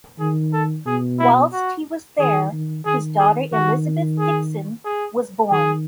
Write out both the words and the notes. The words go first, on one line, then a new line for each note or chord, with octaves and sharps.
Whilst he was there his daughter Elizabeth Dickson was born.
D#3 G#4
A4
B2 G#4
E4
F#4
D#3 G#4
D#3
D#3 G#4
G#4
D#3 F#4
G#4
G#4
D#3 G#4